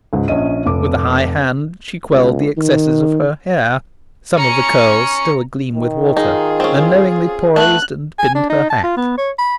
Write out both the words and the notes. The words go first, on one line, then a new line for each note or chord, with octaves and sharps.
With a high hand she quelled the excesses of her hair--some of the curls still agleam with water--and knowingly poised and pinned her hat.
C#2 G#2
A#1 C#4 D#5 D#7
F1 D6
C#2
D#3
C#4 A#5 C#7
D#3
D#4 F4 G#4
C4 C#4
A3 B3 E5 F#6
G#5
D4
D#4
A5
F4
B3
C#5
B5